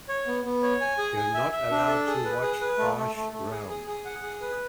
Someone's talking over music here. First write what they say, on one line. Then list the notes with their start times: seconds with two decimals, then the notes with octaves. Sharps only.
You're not allowed to watch Harsh Realm'.
0.09 C#5
0.27 B3
0.44 B3
0.63 C#5
0.81 G#5
0.98 G#4
1.17 G#5
1.34 E5
1.52 E5
1.71 D4
1.88 A4
2.06 G#4
2.25 B4
2.42 G#4
2.61 B4
2.78 A3
2.97 A3
3.15 A3
3.33 A3
3.51 G#4
3.69 G#4
3.87 G#4
4.05 F#5
4.22 G#4
4.41 B4